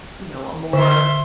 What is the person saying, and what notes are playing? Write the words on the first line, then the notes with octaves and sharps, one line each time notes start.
you know, a more
D3 E5 C6